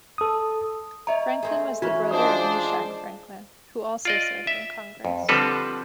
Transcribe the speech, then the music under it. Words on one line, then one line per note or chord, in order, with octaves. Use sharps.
Franklin was the brother of Meshack Franklin, who also served in Congress.
A4 D#6
C#5 D#5 E5 A#5
A3 C4 G#4
E3 C#4 F#4
F3 G#3 D4 C5 D#5 D#6
F4 D5 D#5
E5
F2
D3 F3 G3 C4 A4 B4